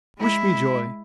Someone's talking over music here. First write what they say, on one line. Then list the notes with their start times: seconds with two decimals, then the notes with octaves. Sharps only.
Wish me joy.
0.18 G#3 E4